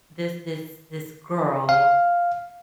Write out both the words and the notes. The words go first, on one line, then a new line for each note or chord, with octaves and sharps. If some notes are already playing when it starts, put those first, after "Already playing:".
this this this girl,
F5